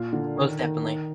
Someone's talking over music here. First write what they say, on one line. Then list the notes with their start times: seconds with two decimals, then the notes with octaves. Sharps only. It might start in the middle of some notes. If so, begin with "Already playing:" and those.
most definitely.
Already playing: A#2 F4
0.13 D3
0.36 D#3
0.59 D#3
0.83 D#4